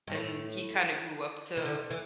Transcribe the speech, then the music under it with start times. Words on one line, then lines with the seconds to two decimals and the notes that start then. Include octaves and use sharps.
and he kinda grew up to,
0.08 G2
0.15 A2
1.57 E3
1.65 D3
1.90 E3